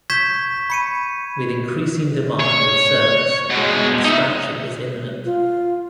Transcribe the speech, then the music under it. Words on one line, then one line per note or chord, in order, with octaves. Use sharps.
With increasing demand and service, expansion is imminent.
C#6 G6 G#6 B6 E7
B5 C#7 D#7
C#5
B2 G#3
D#4 E5
F4